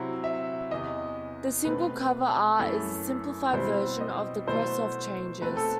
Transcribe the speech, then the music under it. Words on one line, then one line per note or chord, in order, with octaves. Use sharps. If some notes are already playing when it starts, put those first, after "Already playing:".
The single cover art is a simplified version of "The Cross of Changes".
Already playing: C3 F#3 C4 E4
E5
E2 C3 E3 D#5
B2 A3 C4 B4
F#2 E3 A3 E4 A4
B2 G3 C4 E4 C5
D#5
B2 F#3 A3 E4 C5
B2 A3 C4 D#4 B4
A4